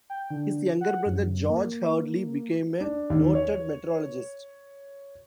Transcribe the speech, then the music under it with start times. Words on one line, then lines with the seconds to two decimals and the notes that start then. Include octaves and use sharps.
His younger brother George Hadley became a noted meteorologist.
0.10 G5
0.30 D3
0.81 F#5
1.06 F#2
1.50 A#3
2.81 D4
3.10 D#2
3.35 C#5